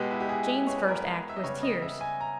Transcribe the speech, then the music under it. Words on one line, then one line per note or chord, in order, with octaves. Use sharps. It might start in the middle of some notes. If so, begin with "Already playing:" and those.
Jane's first act was tears.
Already playing: B2 G#3 B3 G4
E4
G4
G#4
C#5
B4
A#4
B4
E5
D#5
C#3 G3 B3 C#5
D#5
E5
G#5
A#5